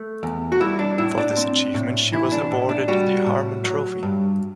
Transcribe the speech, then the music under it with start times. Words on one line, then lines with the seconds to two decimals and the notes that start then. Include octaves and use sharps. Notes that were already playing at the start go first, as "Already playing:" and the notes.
For this achievement, she was awarded the Harmon Trophy.
Already playing: A3
0.23 E2
0.52 F#4
0.60 G3 E4
0.79 D4
0.98 A2 E4
1.18 D4
1.37 C4
1.74 A2
2.12 E3 E4
2.32 D4
2.51 A2
2.69 D4
2.88 G3 F#4
3.26 A2
3.64 F#3
4.03 G2